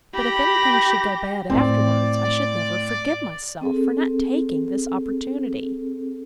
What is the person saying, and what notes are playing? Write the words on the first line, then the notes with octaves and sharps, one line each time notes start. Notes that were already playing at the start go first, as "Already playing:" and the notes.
But if any thing should go bad afterwards, I should never forgive myself, for not taking this opportunity.
G4 G5 B5 A#6
A2 C4 D5
C4 G#4 A4